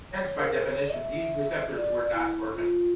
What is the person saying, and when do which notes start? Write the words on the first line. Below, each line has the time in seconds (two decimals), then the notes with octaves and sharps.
Hence by definition, these receptors were not orphans.
0.12 C#5
0.39 A#4
0.66 C#5
0.92 E5
1.73 D5
2.13 E4
2.54 F4